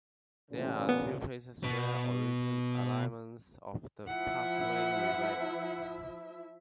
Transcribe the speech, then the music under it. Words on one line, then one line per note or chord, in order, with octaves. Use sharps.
There are two places where original alignments of the parkway remain.
A1 A#2 C#3
B3
B2 B3
F3 E4 E5 F#5